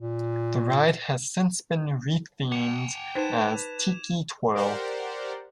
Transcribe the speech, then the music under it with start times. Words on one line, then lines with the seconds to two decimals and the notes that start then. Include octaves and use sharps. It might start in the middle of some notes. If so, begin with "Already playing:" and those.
The ride has since been rethemed as Tiki Twirl.
0.01 A#2
2.52 F#5 G5 D6 F7
3.15 D#4 B4 C5 A5 G#6 E7
4.54 G4 A#4 C5 D5 F#5